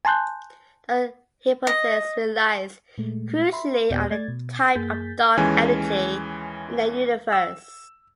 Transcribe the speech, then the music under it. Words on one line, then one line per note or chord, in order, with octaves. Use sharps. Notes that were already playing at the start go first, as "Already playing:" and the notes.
The hypothesis relies crucially on the type of dark energy in the universe.
G#5 A5 C6 F#6 G6
D#5
A#2 G#3 A3
E5 B5 C6
D#2 A#2 B3 G4 D5 G6
A3 D5 G#6 A6
B2
F#2 A#3 G#4 G6 A6 B6
D#2 E3 G#3 C#4 G#5
E6